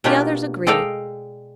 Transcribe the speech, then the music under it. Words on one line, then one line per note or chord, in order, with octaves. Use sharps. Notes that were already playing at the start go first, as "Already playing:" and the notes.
The others agreed.
B2 A#3 C#4 D4 F4 G4
G#3 A4 D5 D#5 F5 G5